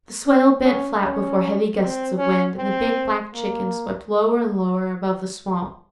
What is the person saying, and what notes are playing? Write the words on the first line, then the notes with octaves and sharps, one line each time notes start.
The swale bent flat before heavy gusts of wind, and the big black chicken swept lower and lower above the swamp.
C#4
C#4
C#4
C4
C#4
C4
A#3